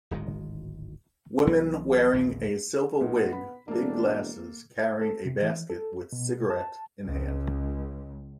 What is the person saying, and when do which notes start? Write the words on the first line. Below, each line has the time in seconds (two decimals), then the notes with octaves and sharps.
Women wearing a silver wig big glasses carrying a basket with cigarette in hand.
0.11 D1 G#1 D#3 G#3
1.47 C2 E3 F#3 B3
2.13 A#1 D#2 A#2 D3
3.00 B1 A#2 B3
3.32 B5
3.68 E1 A#3 D4 A4
5.01 A4
5.26 C3
5.42 E3
5.70 A4
6.12 B2
6.50 A5
7.04 C#2